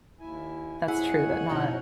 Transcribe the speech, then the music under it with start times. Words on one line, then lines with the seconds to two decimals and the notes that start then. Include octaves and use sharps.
that's true that not
0.20 D#2 E4 G#5
0.88 F2 E4 G#4 C#5 F#5
1.49 F#2 B2 D#4